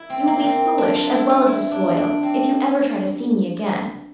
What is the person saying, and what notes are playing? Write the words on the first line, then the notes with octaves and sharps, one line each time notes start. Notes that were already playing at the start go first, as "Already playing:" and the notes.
You will be foolish, as well as disloyal, if you ever try to see me again.
Already playing: E4
C4
A#3
C4
D4
F4
E4
F4
E4
D4
D4
C4